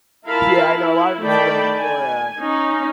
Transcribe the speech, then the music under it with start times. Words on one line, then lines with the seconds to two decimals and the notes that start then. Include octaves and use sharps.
Yeah, I know, a lot of it's a little bit more, uh
0.28 E4 F4 A#4 F5 A5 B5
0.71 E4
1.24 D#3 A3 D5 G5 A5 B5
1.77 G#5
2.38 C#4 D#4